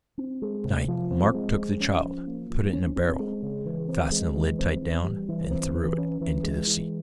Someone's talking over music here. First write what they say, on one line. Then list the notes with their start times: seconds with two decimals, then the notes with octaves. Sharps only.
At night Mark took the child, put it in a barrel, fastened the lid tight down, and threw it into the sea.
0.18 C4
0.42 G#3
0.65 C3
0.88 F3
1.11 C4
1.34 G#3
1.57 F3
1.80 C#4
2.03 F3
2.27 A#3
2.50 F3
2.73 C#4
2.96 C4
3.20 G#3
3.42 C#3
3.66 E3
3.88 C4
4.12 G#3
4.36 E3
4.59 C4
4.82 E3
5.04 G3
5.29 E3
5.51 C4
5.75 E3
5.98 C#4
6.21 E3
6.43 G#3
6.67 E3